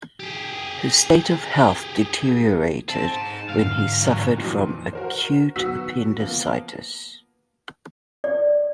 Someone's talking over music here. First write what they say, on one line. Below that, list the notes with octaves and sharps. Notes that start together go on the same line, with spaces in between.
His state of health deteriorated when he suffered from acute appendicitis.
G4 G#4
C4 A5
D#4 G#4
G#2 D3 F5
D#2 F#3
F2 A#2 D#3 E3 F#3
F#4 A#4 C5
D#3 F#3 B3 F#4 E6 B6
F3 A#3 B3
D5